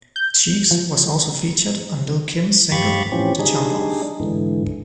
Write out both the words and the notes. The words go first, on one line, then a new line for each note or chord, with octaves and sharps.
Cheeks was also featured on Lil' Kim's single, The Jump Off.
G6
F3
G2 G4 F5 B5 C#6 A6
A2 E3 F3 C4 C#4 G4
G3 D4 D#4 G#4
G#2 D3 E3